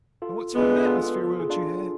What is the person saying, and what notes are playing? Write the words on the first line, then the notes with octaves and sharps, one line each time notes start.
And what sort of atmosphere would you have?
F4 A4
D3 G#3 B3
F4 A4
G#4
D4 F4